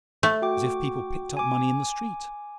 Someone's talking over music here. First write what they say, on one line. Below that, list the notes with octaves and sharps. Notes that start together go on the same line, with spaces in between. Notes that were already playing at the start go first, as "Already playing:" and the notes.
As if people picked up money in the street!
A3
F#4 G5 D6
G#5 D6